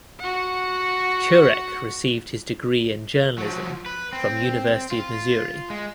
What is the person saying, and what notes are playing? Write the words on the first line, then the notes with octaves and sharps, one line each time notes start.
Turek received his degree in journalism from University of Missouri.
F#4 F#5
F3 F#3
B4
C4
F4
G#3